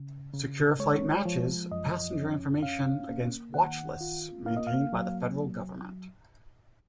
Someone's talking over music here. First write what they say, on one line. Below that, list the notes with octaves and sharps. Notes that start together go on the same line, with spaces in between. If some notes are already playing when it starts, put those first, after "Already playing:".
Secure Flight matches passenger information against watch lists maintained by the federal government.
Already playing: C#3
C#3
G#3 C#5
F3
F#2 D#5
C#4
C#4 F5
A#3
D#3 F#5
F4
A#3 F5
D#5
F5
F#3